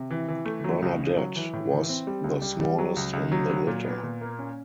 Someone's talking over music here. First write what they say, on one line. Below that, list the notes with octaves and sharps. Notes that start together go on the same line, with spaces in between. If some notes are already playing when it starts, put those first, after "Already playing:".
Bernadette was the smallest in the litter.
Already playing: C3
E3
E3
A3
F#3
C#2
C#3
F#3
E3
A2
E3
C4
G3
C#2
G3
G3
F#3
C#2
C#2
F#3
F#3
A#2
B3
A#2
A#3
C#4